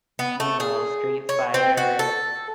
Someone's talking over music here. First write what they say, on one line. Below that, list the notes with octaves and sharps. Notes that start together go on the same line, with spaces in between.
you know, Street Fighter,
B3
A3
G#4
C#5
C4
F#4
A4